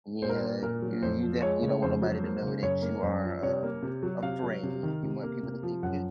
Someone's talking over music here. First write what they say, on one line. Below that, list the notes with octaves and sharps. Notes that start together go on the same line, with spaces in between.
Yeah, you you definitely don't want nobody to know that you are, um, afraid. You want people to think you're
A#2 C5
A#4
C5
A#3
A#2 A#4
F#3
F2 C5
F3
G#3 C#5
C#3
F2 C5
F#3
A#3
C#3
F#2 C#5
A#3
F#2 C5
F3
C3 C#5
A#3
C3
F#3
C3 F5
F#3
C3
D#3
C3
A#3
C3
F3
F#2 F#5